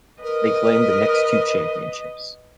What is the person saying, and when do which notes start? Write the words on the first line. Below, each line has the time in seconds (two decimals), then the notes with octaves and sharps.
They claimed the next two championships.
0.23 A#4 B4 D#5